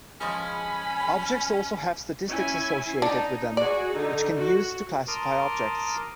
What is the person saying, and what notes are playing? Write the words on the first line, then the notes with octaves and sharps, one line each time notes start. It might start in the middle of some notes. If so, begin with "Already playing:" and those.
Objects also have statistics associated with them which can be used to classify objects.
F3 G#3 C#4 G#4 G#5 B5
C#4 E4 G#5
D4 D#4
F#4 G#4 D5
D3 D#4
F#4
A#4 A5 A#5 C6 D6 D#6